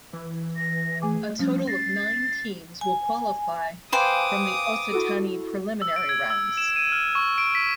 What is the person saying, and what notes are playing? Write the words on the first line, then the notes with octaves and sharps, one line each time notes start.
A total of nine teams will qualify from the Occitanie preliminary rounds.
E3
A#6
A3 G#4 G#5 D6
F3 G3 C#4 D4
A6 A#6 C7
G#5
B4 C5 F5 G5 G#5 D6 D#6
E4 F#4 A4
E6
D7
G#6
E6
E7
D#7
F6
C#6
D7
B6